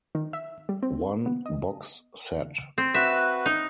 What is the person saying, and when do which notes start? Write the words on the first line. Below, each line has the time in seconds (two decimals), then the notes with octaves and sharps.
One box set.
0.15 D#3
0.33 E5
0.69 G3
0.82 C4
1.26 B3
1.46 D#5
2.78 C4
2.94 F#4 B4 E5
3.46 D#4